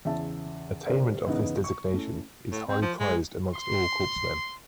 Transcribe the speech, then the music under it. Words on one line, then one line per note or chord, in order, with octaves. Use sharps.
Attainment of this designation is highly prized among all corpsmen.
E2 C#3 E5 A5
G1 G4 A#4 C5 D5
E2 G#2 C#3 B3 D#4 E4
C#6
A3 C#4 E4
A2
C4
F3
G#3
C6